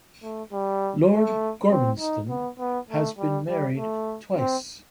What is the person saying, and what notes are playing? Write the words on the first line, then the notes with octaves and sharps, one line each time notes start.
Lord Gormanston has been married twice.
A3
G3
A3
C4
D#4
B3
B3
A3
G3
G3
A3
C4